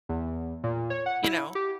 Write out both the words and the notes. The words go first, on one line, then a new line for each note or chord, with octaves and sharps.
you know?
E2
A#2
C#5
F#5
E4
G4